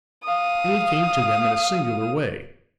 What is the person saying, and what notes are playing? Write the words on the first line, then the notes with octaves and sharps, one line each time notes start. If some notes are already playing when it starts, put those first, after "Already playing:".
Aid came to them in a singular way.
F5 D#6